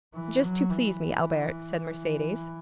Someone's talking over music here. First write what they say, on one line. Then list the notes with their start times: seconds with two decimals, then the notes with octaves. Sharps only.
"Just to please me, Albert," said Mercedes.
0.15 E3
0.43 F#3
0.71 E3